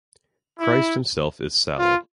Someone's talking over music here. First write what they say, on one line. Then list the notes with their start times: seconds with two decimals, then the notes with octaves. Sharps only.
Christ himself is sallow.
0.59 E4
1.78 F4